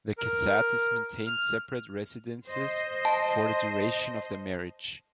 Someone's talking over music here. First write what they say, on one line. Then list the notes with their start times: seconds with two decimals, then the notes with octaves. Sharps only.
The Casatis maintained separate residences for the duration of their marriage.
0.18 A#4
1.26 F6
2.45 C5 D#5
3.05 A5